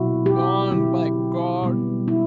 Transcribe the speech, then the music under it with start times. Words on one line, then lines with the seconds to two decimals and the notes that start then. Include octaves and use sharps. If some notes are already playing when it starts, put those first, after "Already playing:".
"Gone by God."
Already playing: B2 F#3 C4 E4 F#4
0.26 G4
0.71 D3 F#3 C4 E4
1.62 B2 G3 B3
2.08 E4